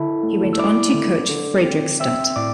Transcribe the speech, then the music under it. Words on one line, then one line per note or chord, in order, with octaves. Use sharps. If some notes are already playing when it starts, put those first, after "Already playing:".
He went on to coach Fredrikstad.
Already playing: D3 E4 A4 A5
A3
E6
E4 D5 D6
D3
D3
C4
C4 E5 E6
A2 D5 D6